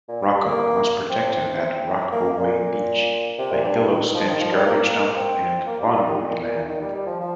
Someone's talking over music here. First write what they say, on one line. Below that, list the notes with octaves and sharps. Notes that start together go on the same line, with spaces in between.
Rocko must protect him at Rock-O-Whey Beach, the Hill-O-Stench garbage dump, and Laundryland.
A#2
G3
G3
A#3
C4
A#3
A#2
C3
A#2
G2
D#3
F3
D#3
F3
G3
A#3
A#3
C4
A#3
G3
G3
D#3
A#2
A#2
D#3
G3
G3
F3
F3